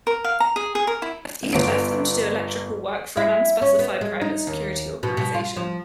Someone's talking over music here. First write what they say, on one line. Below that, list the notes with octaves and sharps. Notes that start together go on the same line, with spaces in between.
He had left them to do electrical work for an unspecified private security organization.
A#4
F5
A#5
G#4
G#4
A#4
E4
G1 D7
E4
C#4
B3
G#3
D#4
D#2
B2
B2
F4
F3